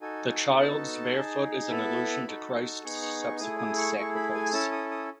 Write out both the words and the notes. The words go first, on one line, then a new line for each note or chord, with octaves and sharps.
The child’s bare foot is an allusion to Christ’s subsequent sacrifice.
D#4 F#4 A4 G#5
B3 D#4 F#4 A4 A5
D#4 G#4
B3 E4 A4 B5
D#4 F#4 A4
B3 D#4 G#4 C#6
C#6
C#6
A3 E4 G#4 D#6
D#6
C#6
A3 E4 G#4 C#6
B5
G#5
C#4 E4 A4 A5
D#6
D#6